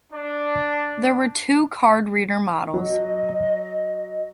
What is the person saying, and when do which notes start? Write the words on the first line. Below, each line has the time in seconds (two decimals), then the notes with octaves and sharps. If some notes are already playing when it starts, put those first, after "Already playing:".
There were two card reader models.
0.12 D4
2.74 F#3 D#5